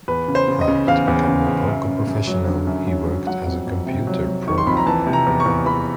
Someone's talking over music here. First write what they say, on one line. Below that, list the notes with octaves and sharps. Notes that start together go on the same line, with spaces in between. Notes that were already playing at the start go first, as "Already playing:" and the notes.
Prior to becoming a poker professional, he worked as a computer programmer.
E2 B4
C#3
C5
C#3
D#5
C#3
E2 F5
E2
C#3
C#3
F#2
F#2
F#2
F#3
D3
F#2
F#3
F#3
F#3 F#5
F2
F2
C3
F#3
F#3
D#3 C#6
C6
F2 B5
A#5
E3 A5
C3
A#5
E2
C#6
E2
E2 B5